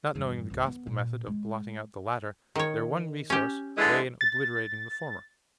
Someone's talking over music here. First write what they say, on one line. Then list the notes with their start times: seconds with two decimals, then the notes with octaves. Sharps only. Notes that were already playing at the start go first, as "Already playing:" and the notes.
Not knowing the Gospel method of blotting out the latter, their one resource lay in obliterating the former.
0.15 E2 G2
0.50 G1 C2
0.63 A3 B3
0.87 A#2
1.27 G#3
2.56 D#3 C#5
3.30 C#4 G4
3.77 D3 E3 G#3
4.21 A6